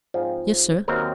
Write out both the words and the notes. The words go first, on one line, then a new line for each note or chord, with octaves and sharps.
"Yes, sir."
G#2 F3 C4 F4
D#2 D#3 F#3 C4 A#4